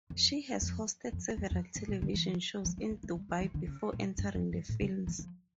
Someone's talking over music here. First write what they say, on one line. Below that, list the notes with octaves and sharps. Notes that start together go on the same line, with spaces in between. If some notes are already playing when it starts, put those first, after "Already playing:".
She has hosted several television shows in Dubai before entering the films.
F2
F2
F2
F2
F2
G2
A#2
D3
E3
F3
A3
A#3
A3
G3
F3
E3
D3
C#3
A#2
G2
F2
G2
A2
C#3
E3
F3